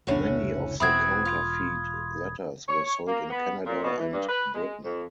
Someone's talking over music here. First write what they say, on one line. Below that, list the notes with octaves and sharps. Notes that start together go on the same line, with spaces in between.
Many of the counterfeit letters were sold in Canada and Britain.
F1 C#2 A2 C#4 D4 F#4
E1 E3 C4 F#4 B5 D#6 G#6
F4
C#5
A#3
B3
A#2
B2
E3
G2
B4
G#3
F2